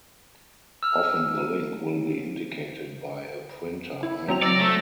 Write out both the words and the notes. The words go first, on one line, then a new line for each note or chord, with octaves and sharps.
Often the link will be indicated by a printer icon.
E6 F6
E4
F#3 C4 F7
D5 E6 A#6
A3